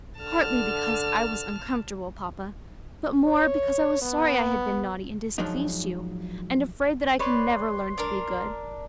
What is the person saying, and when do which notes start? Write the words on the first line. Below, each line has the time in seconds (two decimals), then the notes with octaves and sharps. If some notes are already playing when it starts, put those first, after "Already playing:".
"Partly because I was uncomfortable, papa, but more because I was sorry I had been naughty, and displeased you, and afraid that I can never learn to be good."
0.19 D3 A5 F6
3.25 C#5
4.02 B3
5.38 F3 F#3 G#3 D4 D#4
7.19 B4 C#5 D5 C6
7.98 D4 A#4